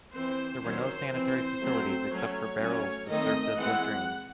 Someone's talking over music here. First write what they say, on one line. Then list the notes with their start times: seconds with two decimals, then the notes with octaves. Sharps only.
There were no sanitary facilities except for barrels that served as latrines.
0.14 E3 C4 C5
0.63 D#3 F#3 C#4 C5
1.12 E3 C4
1.61 F#3 A3 C4
2.10 F#3 A3 C#4 C#5
2.60 F#3 A3 C#4
3.09 D#3 A3 C4 D#5
3.58 E3 G#3 C4 F#5